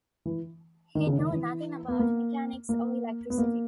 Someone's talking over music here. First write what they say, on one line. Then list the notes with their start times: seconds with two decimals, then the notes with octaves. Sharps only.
He knew nothing about mechanics or electricity.
0.25 E3
0.95 D#3
1.07 C#3
1.18 D#3
1.31 E3
1.88 B3
1.99 A#3
2.69 A#3
3.30 B3
3.38 A#3